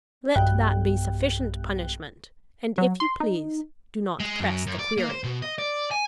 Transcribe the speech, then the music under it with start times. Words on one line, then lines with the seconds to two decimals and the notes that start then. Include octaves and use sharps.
Let that be sufficient punishment; and, if you please, do not press the query.
0.36 B1 G2 G5 F#6
2.78 F#3
3.00 C6
3.20 D#4
4.20 G#3
4.40 F#2
4.67 F#2
4.79 D5
4.98 A#3
5.10 C5
5.24 B2
5.42 D#5
5.58 D5
5.91 G#5